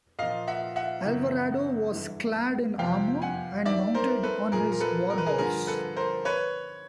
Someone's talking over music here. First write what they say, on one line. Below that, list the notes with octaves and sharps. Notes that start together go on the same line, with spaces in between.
Alvarado was clad in armor and mounted on his warhorse.
A#2 F3 D#5 F5
E5 F#5
E5 F#5
F#2 C#3 E3
G2 E3
F2 C3 F3 F5 G5
F#5 G#5
G2 D#3 D5 E5
A#4 C5
A4 B4
A#2 F3 G#4 A#4
A#4
A4 B4
A#4
B4
G#4 A#4
G2 D3 F3 G#4 A#4
A4 B4
A#4 C5
B4 C#5